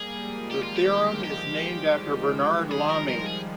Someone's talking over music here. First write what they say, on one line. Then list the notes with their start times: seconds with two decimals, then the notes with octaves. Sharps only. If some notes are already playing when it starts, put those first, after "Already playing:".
The theorem is named after Bernard Lamy.
Already playing: G3 A#3 G#4
0.13 F3 G#3
0.50 D#3 G3 G4
0.63 F4
0.76 G4
0.87 D3 F3
1.24 F3 G#3 G4
1.61 D#3 G3
1.97 F3 G#3
2.71 G#4
2.89 A#4
3.08 A#4
3.26 G#4